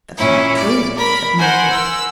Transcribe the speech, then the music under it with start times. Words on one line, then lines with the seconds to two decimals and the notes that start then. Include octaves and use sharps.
'That's not true,' said Margaret.
0.17 A#2 C#4 E4
0.56 D5
0.96 A#4 B5
1.38 A#4 C5 F#5 G#5
1.71 E6